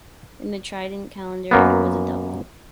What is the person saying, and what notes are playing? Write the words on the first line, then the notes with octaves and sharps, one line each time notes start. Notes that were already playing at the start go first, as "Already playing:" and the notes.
In the Tridentine Calendar, it was a Double.
F#2 A#3 B3